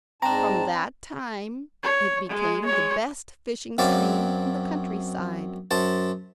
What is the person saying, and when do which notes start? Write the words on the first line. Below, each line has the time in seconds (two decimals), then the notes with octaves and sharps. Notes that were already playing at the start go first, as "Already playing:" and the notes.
From that time it became the best fishing stream in the country-side.
0.22 G#2 C4 D4 A5 A#5
1.83 C#5
2.29 G#3
2.66 G#3 C#5
3.78 F#2 F#3 C4 D5 E5 F5
5.71 F#2 C5 A5